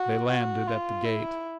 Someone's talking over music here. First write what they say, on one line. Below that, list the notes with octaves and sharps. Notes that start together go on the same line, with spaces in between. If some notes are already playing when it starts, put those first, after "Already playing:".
They landed at the gate.
Already playing: F#4
F#4
F4
E4